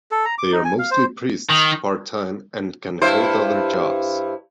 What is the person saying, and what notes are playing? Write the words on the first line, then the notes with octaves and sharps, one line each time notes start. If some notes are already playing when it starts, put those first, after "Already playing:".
They are mostly priests part-time and can hold other jobs.
A4
A#5
D6
D#4
G#5
F5
C5
D#3
G2 E4 C5